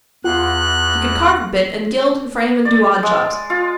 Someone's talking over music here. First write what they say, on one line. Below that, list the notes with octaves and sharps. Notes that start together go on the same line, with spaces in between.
He could carve a bit, and gild and frame, and do odd jobs.
E2 F4 F#5 C6 F#6
D5
G#3
F4